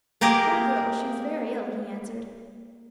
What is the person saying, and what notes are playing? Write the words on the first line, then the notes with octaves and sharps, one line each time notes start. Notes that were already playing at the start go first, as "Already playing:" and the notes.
"Poor girl, she is very ill," he answered.
A#3 G4 G#4 A#4